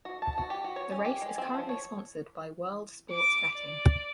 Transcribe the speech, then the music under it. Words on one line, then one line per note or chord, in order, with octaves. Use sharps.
The race is currently sponsored by World Sports Betting.
F#4
A5
F#4
G4
F#4
C#5
C#4
G4
G#3
C4
F3
C#5
D6
D5